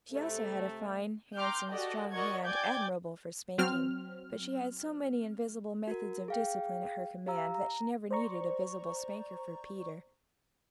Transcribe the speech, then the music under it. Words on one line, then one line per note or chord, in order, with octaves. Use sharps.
She also had a fine, handsome, strong hand admirable for spanking, but she had so many invisible methods of discipline at her command that she never needed a visible spanker for Peter.
C3 A3
G5 A#5 C6 D6 F6 G6
F#4 G4 A4 D5 D#5
F#4 A#4 D5 D#5 C#6 G#6
D5 G5 G#5 D6 G6 G#6
F#3 C4 F6
F#4 A#4
G#4 F5 G5
G4 F5 A#5 E6
A#5
C5 D5 A#5 C#6